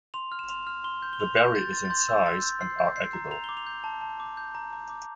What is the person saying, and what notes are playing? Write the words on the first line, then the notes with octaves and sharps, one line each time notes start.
The berry is in size and are edible.
C6 F7
F6
E7
C6 F7
F6
C6 G7
G6
G7
C6 F7
G6
G6 A6
C6 A6
A6
C6 G6
E6 G6
C6 A6
G6
C6 C7
G6
G6 C7
A#5
A#5 F7
D6 G7
F7
G6
A5
A5
D6
G6
A#5
A#5
D6